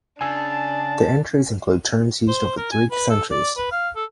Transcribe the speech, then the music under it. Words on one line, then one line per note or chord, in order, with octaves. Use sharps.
The entries include terms used over three centuries.
C#3 D4 G#5 A5 E6
C5
A#4
G#5
B4
A4
D5
B4
F5
A4